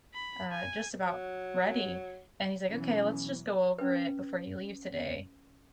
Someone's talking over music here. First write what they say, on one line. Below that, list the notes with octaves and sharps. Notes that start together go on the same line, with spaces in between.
uh, just about ready." And he's, like, "Okay. Let's just go over it before he leaves today,"
B5
G#5
F#3
B2 E3 F#3 C#4
C#4 B4